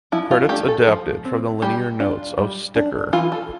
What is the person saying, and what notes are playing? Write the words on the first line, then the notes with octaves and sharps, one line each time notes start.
Credits adapted from the liner notes of "Sticker".
F3 E4
F4
A3 D4 G4
A4
F3
C4
G3 G4
D4 F4
G3
D4
E3 F4
A4